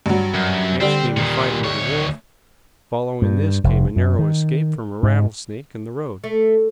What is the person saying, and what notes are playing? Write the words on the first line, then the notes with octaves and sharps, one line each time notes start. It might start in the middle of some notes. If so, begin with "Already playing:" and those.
Next came a fight with a wolf; following this, came a narrow escape from a rattlesnake in the road.
G2 F#3
F#2
D3 G3 C4
A#2 D#3
D2 C#5
G2
F1
F#2
D#3
G#2
A3